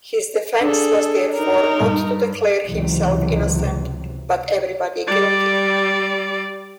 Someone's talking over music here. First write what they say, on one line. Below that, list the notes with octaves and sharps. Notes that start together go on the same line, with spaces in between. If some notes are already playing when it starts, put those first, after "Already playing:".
His defence was therefore not to declare himself innocent, but everybody guilty.
D4 G#4 A4
D#4 A#4
G2
C#2 C3 E3 F#3
G3 D5